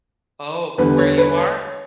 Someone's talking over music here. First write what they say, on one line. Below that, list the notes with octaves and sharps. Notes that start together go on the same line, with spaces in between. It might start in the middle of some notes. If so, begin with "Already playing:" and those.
Oh, from where you are?
E2 D3 G3 B4
C#5
B4
C#5